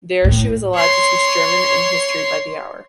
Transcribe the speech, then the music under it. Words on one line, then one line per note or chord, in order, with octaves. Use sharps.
There she was allowed to teach German and history by the hour.
A2
C#5 C6